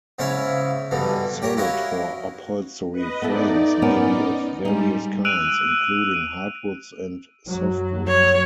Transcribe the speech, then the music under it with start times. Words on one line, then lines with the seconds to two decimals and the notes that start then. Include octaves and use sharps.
Solid for upholstery frames may be of various kinds, including hardwoods and softwoods.
0.19 G#2 C#3 E4 C#5 E5 F5
0.91 G2 B2 D3 E3
1.42 G4 A#4 C#5
1.57 E4 F#4 A#4 C#5 D#5 F5
2.92 B4 D#5
3.22 B3 D#4 E4 A4 D5
3.82 B3 C#4 A#4
4.65 G3 G#3 D#4
5.25 E6 F#6 D7 D#7 F7 F#7
7.47 F#2 F#3
8.08 C#5